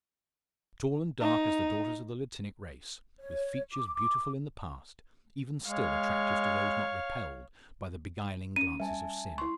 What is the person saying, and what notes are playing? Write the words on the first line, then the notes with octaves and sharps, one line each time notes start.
Tall and dark as the daughters of the Latinic race, with features beautiful in the past--even still attractive to those not repelled by the beguiling glances of sin.
D#4
C#5
D6
D6
G#3 C#5 F5
C#4 D#7
G3 E5 G#5 A5
E4 C6 C#6